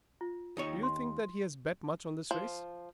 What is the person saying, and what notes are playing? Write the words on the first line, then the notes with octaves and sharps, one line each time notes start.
"Do you think that he has bet much on this race?"
F4
D#2 D#4 C#5
C6
F3